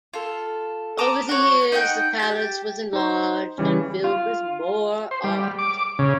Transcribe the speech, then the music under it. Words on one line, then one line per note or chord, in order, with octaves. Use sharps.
Over the years the palace was enlarged and filled with more art.
F4 A4
A5 A#5 D6 D#6
F#4 C#5
D#4 E5 F#5 G5
G4 A5
D#4 C5
C#3 E3 G3 C#4
F4
C5
G3
D6
C#3